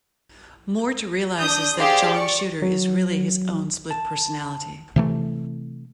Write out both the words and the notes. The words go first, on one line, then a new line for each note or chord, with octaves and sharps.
Mort realizes that John Shooter is really his own split personality.
D4 D#6 G6
G4 G#4 C5 D5 F5
D5 C#6
F#3
A5
C3 E3 A3